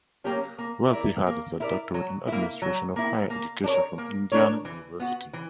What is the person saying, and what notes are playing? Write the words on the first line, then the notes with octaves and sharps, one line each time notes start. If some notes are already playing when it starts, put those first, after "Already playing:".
Welty has a doctorate in administration of higher education from Indiana University.
F#3 A#3 C#4 G4
A#3
E4 A#4 D5
A#3
E4 A#4 D5
F#3
A#3 E4
F#3
A#3 E4
A#3
D4 A#4 C#5
A#3
D4 A#4 C#5
E3
B3 F#4
E3